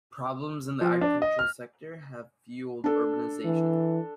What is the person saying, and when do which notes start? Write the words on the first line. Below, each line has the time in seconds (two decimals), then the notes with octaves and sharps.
Problems in the agricultural sector have fueled urbanization.
0.81 F3
1.01 D4
1.22 D#5
1.39 F6
2.84 D4 A4
3.44 E3